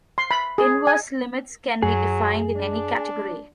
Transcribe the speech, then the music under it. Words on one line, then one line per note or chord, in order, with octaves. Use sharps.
Inverse limits can be defined in any category.
C6
B5
G#4
G#5
F#2 F#3 G#4
D4